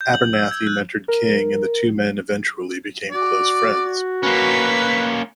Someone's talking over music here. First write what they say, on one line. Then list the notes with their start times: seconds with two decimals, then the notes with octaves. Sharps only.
Abernathy mentored King and the two men eventually became close friends.
0.01 G6
0.14 F#7
0.33 E6
0.51 G#6
0.67 F#6
1.08 A#4
3.11 F#4 D5
4.23 A#3 C#4 B4